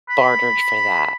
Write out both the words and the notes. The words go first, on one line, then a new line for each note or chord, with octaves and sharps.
bartered for that.
B5